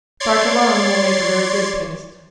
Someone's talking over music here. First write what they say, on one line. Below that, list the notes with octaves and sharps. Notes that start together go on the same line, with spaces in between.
Starch alone will make a very good paste.
C#5 D5 C6 G#6 A6 C7